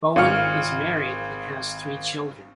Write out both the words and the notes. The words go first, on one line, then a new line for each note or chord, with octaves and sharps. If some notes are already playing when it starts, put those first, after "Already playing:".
Bowen is married and has three children.
G#1 F4 F6 C#7